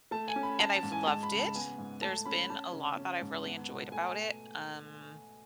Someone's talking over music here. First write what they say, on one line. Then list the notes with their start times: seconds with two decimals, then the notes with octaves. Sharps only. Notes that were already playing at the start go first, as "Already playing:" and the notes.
a and I've loved it. There's been a lot that I've really enjoyed about it, um,
0.11 A3 A5
0.28 G#5
0.36 C#4
0.43 B5
0.59 C#4 A5
0.76 A5
0.83 G#2
0.92 G#5
1.07 G#3 A5
1.23 B5
1.31 C#3
1.39 A5
1.55 B3 G#5
1.78 G#2
2.02 A3 A5
2.26 C#4 B5
2.50 C#4 A5
2.73 C#3
2.97 C#4
3.21 G#2
3.45 B3
3.69 B2
3.92 A3 G#5